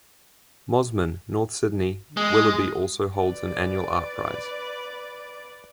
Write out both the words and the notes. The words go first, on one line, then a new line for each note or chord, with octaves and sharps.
Mosman, North Sydney, Willoughby also holds an annual art prize.
G#3
B4 D5